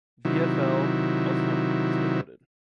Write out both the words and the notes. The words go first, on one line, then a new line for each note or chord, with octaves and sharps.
VfL Osnabrück was demoted.
C3 D#3 F#3 E4